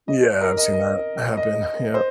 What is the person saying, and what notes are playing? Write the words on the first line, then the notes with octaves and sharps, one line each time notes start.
Yeah, I've seen that happen. Yeah.
D#5
A#4
D#5
D#5
D#5
C5